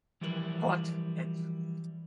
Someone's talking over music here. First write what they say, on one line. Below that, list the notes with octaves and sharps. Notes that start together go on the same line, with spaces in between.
Huot et.
E3 F3 G3 E4 A#4 B4